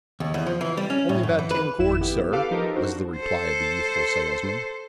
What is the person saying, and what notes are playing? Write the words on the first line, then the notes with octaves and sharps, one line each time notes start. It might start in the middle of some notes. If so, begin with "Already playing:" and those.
"Only about ten cords, sir," was the reply of the youthful salesman.
D#2
E2
F3
E3
G3
C#4
A2
F#2
E3
B4
G#1 F2 E4 E7
B3 E4 G4
G4 A4 B4 F5 D6
F3 D#4 G4 A4 A#4
D4 F#4 C5
A4 C5